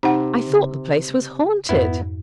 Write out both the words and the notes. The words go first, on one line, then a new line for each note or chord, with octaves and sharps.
"I thought the place was haunted!"
C3 D#4 F#5
C#3
F2 G#2 B3 E4